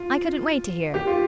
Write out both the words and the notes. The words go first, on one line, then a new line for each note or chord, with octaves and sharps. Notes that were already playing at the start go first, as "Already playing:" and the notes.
'I couldn't wait to hear.
Already playing: F4
G4
F4